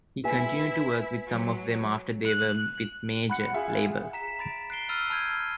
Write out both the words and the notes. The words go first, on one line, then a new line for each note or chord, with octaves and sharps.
He continued to work with some of them after they were with major labels.
E4 B4 E5 G#5
F#3
F#6
F#5 B5 F#6 C#7
F4 G#4 E5
A#5 B6 E7
B5 A6 D7
F#6 C7 D7 G7
B5 E6 F6 A6 D#7 G7
A5 B5 F6 G6 G#6